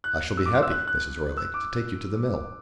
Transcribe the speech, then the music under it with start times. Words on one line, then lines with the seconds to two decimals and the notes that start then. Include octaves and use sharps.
"I shall be happy, Mrs. Roylake, to take you to the mill."
0.04 F#6
0.37 E6
0.46 D6
0.54 C6
0.63 E6
0.71 F#6
0.88 F#6
1.37 E6
1.54 D6